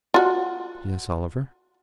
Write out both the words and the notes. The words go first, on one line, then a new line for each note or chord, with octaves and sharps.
"Yes, Oliver?"
F4 F#4